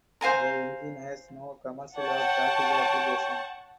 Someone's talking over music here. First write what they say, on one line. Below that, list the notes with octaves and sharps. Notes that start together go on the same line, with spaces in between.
The engine has no commercial or practical application.
C5 F5 G#5 A#5
C#5 F#5 G5 A5 C#6